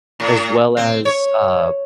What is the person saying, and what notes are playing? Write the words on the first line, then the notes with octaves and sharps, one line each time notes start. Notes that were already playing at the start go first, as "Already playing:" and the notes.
as well as, uh,
A2
C4
C#5